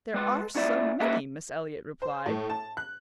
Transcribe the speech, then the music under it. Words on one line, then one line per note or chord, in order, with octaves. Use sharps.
"There are so many ..." Miss Eliot replied.
G#3 B4 C6
A#2 C#4 E4 D5 E5
A#3 C#4 G#4 B4 D#5 E5
C5
A2
A5
F#6